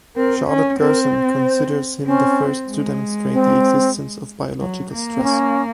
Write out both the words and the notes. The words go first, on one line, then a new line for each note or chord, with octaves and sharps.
Charlotte Gerson considers him the first to demonstrate the existence of biological stress.
C4 A#4
C#4
C4 A#4
C5
C4 C#4
G#3
C4
F#3
A#3
C4
C#4